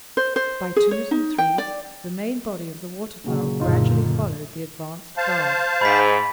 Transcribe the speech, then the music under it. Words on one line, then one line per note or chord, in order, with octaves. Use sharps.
By twos and threes, the main body of the waterfowl gradually followed the advanced guard.
C5
C5
G#4
C#5
D#4
G5
D5
A#2 C#3 F#3
F#1 A#2 D3 D#4 F4 G#4
C5 F5 A5
G#2 B5 B6